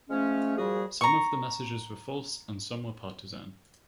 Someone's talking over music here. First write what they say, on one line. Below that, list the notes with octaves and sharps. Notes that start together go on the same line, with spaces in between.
Some of the messages were false and some were partisan.
F3 G#3 A3 C#4
A#2 F3 G3 F#4 G#4
A#5 C#6